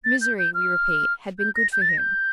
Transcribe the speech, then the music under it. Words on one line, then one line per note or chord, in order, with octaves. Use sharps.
Misery, we repeat, had been good for him.
A6
G6
G6
F6
G6
A#6
G6
A6
A#6
G6